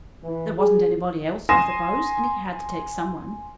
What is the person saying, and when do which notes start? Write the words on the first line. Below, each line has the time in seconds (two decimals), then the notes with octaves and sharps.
There wasn't anybody else, I suppose; and He had to take some one.
0.24 E3
0.58 G#4
1.49 G#5 C6 D#6 A#6 E7